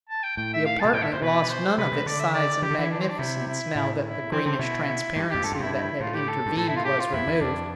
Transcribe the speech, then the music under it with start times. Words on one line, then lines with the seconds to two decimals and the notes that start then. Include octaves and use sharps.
The apartment lost none of its size and magnificence now that the greenish transparency that had intervened was removed.
0.09 A5
0.23 G5
0.37 A2 G5
0.54 E5
0.66 F5
0.79 A5
0.85 B2
0.93 A2 G5
1.02 E5
1.12 A2 C5
1.22 B2 B4
1.49 C5
1.78 C3 B4
1.92 C3
2.06 D3 D5
2.20 E5
2.34 D5
2.62 E3 G4
2.70 D3
2.76 E3 E4
2.91 D4
3.00 C4
3.09 D4
3.19 C3 E4
3.47 E4
3.75 A2 E4
4.03 E4
4.32 E3 C4
4.45 D3 C4
4.59 B2 E4
5.16 G2
5.30 F2 G4
5.44 G2 A4
5.52 F2 F4
5.59 G2 E4
5.72 E4
6.00 A2 F4
6.14 G4
6.28 A4
6.46 G2
6.57 A2 A4
6.68 E4
6.76 F4
6.85 G4
6.99 F4
7.13 F2 E4
7.27 E2
7.41 F2 D4